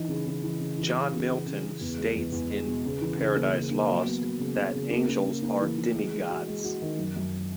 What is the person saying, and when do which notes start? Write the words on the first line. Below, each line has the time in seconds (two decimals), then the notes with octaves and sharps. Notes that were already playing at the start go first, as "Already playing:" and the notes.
John Milton states in "Paradise Lost" that angels are demigods.
Already playing: E3 D#4
0.08 C#3
0.26 C#3
0.43 E3
0.60 C#3
0.78 E3
0.95 C#3
1.13 C#3
1.30 C#3
1.46 C#3
1.64 C#3
1.81 E2
1.98 G#3
2.16 E2
2.32 E2
2.50 G#3
2.67 B2
2.85 C#3
3.01 E3
3.19 C#3
3.36 A#3
3.53 C#3
3.71 A#3
3.88 F#3
4.06 B3
4.22 F#3
4.39 C#3
4.57 C#3
4.74 C#3
4.91 A#3
5.08 C#4
5.26 A#3
5.43 A#3
5.61 E3
5.78 E3
5.96 G#3
6.12 G#3
6.30 F#4
6.47 G#3
6.64 F#4
6.82 D#3
6.99 F#2
7.16 F#2